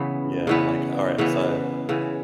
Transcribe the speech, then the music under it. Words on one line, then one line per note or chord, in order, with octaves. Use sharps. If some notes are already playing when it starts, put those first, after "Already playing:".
Yeah, like alright, so I
Already playing: C#3 E3 B3
C#3 E3 B3
C#3 E3 B3
C#3 E3 B3